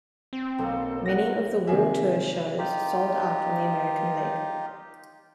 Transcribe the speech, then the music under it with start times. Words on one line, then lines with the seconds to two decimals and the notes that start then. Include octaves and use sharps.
Many of the War Tour shows sold out on the American leg.
0.33 C4
0.58 B1 A#3 A4
1.05 F#5 A#6
1.67 C3 D#3 A#3 G#4 E5
2.58 D#4 F4 G4